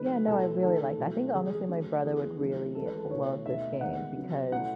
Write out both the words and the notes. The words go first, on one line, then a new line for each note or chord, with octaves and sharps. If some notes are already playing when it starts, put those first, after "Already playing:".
Yeah, no, I really like that, I think, honestly, my brother would really love this game because
Already playing: C#3 F#3 A3 D#4 B4
B2 F#3 A3 E4 A4
D#3 A3 D#4 A4
B2 F#3 A3 E4
C#3 E3 G#3 G#4
G#4
F#3 A3 C#4
E3 B3 E4 G#4
D#3 F#3 A3 C#4 E4
E3 G#3 C#4 E4 A4
B4
A4
B2 A3 E4 C#5
B2 A3 D#4 E5
D#3 G#3 B3 D#4 F#5
C#3 F#3 B3
B2 A3 C#4 E4 F#5